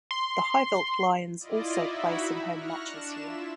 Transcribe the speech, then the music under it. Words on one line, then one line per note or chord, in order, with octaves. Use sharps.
The Highveld Lions also play some home matches here.
C6
E4 F4 D5 D#5
D#4 E4 F#4 B5
E5
C#6 F6 F#6 A#6
D4 E7
E4 F4 E5